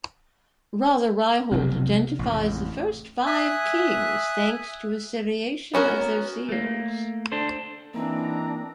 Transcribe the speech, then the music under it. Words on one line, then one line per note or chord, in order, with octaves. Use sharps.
Rather, Ryholt identifies the first five kings thanks to a seriation of their seals.
F1 B1 F2 C3
A1 F2
E5 G#5 D#6 F#6
B3 C#4 F#4 A#4
A3 A#3
D4 A4 C5
E3 A#3 C4 D4 D#4 A#5